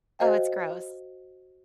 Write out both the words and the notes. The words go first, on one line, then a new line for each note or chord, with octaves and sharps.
oh, it's gross.
F#4 C5 D#5 F5 G5